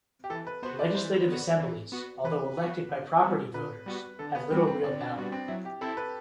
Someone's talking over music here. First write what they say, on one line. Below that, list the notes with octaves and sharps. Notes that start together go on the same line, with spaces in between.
Legislative assemblies, although elected by propertied voters, have little real power.
G4
E3 A4
B4
B3 F#4 C5
D5
E3 C5
B3 F#4
E3
B3 F#4
E3 B4
B3 F#4
D3
G3 B3 F#4
D3 B4
G3 B3 F#4
D3 A4
B3
G3 B3 C4 F#4
C4
D3 D4
D4
G3 B3 F#4
C4
F#3 E4
G4
C4 E4 A4
B4